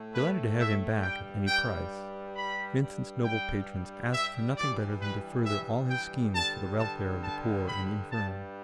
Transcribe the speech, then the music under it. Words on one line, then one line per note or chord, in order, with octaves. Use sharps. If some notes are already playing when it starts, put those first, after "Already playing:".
Delighted to have him back at any price, Vincent's noble patrons asked for nothing better than to further all his schemes for the welfare of the poor and infirm.
Already playing: A2 A3
B4
E5
G2 G3 G5
G5
B5
G2 G3
G5
E5
G2 E3 G3 D5
B4
E5
G5
G2 D3 G3 A5
A5
A5
B5
G2 G3 A5